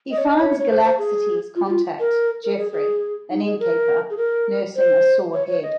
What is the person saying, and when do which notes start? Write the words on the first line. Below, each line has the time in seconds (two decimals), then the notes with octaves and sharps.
He finds Galaxity's contact, Geoffrey, an innkeeper, nursing a sore head.
0.11 D#5
0.18 C#5
0.25 D#5
0.40 C#5
0.60 C#5
0.69 C5
0.83 C5
0.98 G#4
1.56 F4
1.64 G4
1.71 F4
2.00 A#4
2.43 A#4
2.58 G#4
2.72 G#4
3.30 D#4
3.45 G#4
3.60 A#4
4.10 G#4
4.17 A#4
4.76 C5
5.34 C#5
5.49 C#5
5.63 D#5